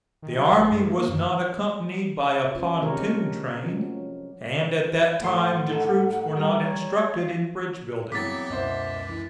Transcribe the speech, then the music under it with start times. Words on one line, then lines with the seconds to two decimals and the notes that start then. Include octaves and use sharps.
The army was not accompanied by a pontoon train, and at that time the troops were not instructed in bridge building.
0.22 D#3
0.38 F#3
0.52 A#1
0.70 G2
0.86 A#3
1.08 F#2
2.56 C#4 F4
2.81 C3 G#3 D4 G4 A#4 C#5
3.64 F3 F#3 C#4
5.20 A2 F#5 C6
5.69 D#4 A4
6.37 G3 A#5
6.62 C#5
7.17 F5
8.12 C#3 E3 F#3 B3 C4 D6 A6 B6
8.50 C#2 F#2 B2 E4 C5
9.09 E3